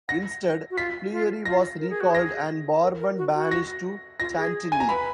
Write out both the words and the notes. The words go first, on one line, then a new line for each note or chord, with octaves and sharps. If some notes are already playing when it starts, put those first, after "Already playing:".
Instead, Fleury was recalled and Bourbon banished to Chantilly.
F#5 A#6
F#4
F4 B6
F4
F4 A#6
A#4
G#4
F#4
G#4 A#6
A#4
A#4
F#4
F#4
A#6
F4 A#6
G#4
G#5
A#5
B4 B5